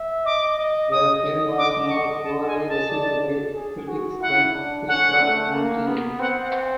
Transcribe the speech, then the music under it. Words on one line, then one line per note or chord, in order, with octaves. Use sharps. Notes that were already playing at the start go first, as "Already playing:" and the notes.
The film was more poorly received by critics than "Three Card Monte".
Already playing: E5
D#5 D6
D#5
D#5 D#6
D6
D6
C#6
A5
G#5
A5
D5
G#4
F#4
E4 F#5
D4
C#4 F#5
A3
A#3
B3
C4 F#5
F#5